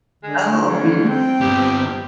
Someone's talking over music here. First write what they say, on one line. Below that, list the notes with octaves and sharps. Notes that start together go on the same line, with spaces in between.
Oh, mhm.
D3 G#3
F2
C4 G5
G2 B3 G4